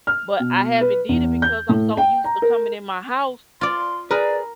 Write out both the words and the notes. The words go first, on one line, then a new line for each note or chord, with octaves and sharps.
but I haven't did it because I'm so used to coming in my house.
F6
B2
B4
E2
G6
A2
G5
A#5
A#4
F4 D5 C6
G#4 A#4 B4 D5